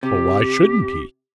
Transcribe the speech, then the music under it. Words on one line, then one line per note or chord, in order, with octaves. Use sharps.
"Why shouldn't he?"
C3 G4